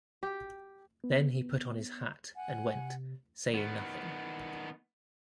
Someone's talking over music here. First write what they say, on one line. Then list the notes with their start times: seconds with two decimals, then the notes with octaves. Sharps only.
Then he put on his hat and went, saying nothing.
0.23 G4
1.04 B3
2.35 F#5 G#5
2.74 C3
3.54 D#3 B3